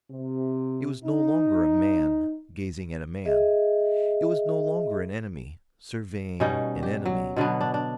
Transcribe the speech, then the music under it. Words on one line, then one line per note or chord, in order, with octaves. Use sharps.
It was no longer a man gazing at a man; it was no longer an enemy surveying an enemy.
C3
D#4
G#4 D#5 E5
B2 G3 C#4 D#4
G4
F#3
B2 D3 F#3 B3
D4
D4